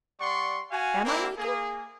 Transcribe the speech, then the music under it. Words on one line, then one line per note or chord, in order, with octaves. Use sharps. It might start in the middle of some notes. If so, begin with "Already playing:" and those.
'Am I naked?
G3 D5 F#5 C6 C#6
F#4 F5 G#5
A#3 C4 D4 E4 A#4
A#3 G#4